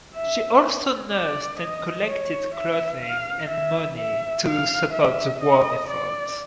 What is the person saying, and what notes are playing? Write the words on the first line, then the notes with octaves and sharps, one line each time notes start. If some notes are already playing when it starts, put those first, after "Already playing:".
She also nursed and collected clothing and money to support the war effort.
E5
D5
D#5
C#5
E5
F5
E5
E5
F5
E5
D#5
D5